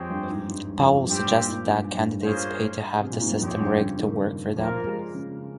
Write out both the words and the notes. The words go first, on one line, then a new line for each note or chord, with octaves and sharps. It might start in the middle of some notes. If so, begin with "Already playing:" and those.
Powell suggested that candidates "paid to have the system rigged to work for them".
Already playing: F2 G#3 C4 G4 C#5 G5
G2
G#2
G2
F2
G2 G3 C4 G4
A#2
G#2
G2
G2
A#3 C#4 F4 G#4 C5
C3
A#2
G#2
G2
F2 G#3 C4 G4 C#5
G2
C#3
D#3
F3 A#3 F4 A#4
G#3
C#3